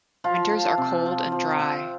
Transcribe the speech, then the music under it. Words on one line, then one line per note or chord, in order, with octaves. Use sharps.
Winters are cold and dry.
F3 F4
F3
C3
F3
F3
C3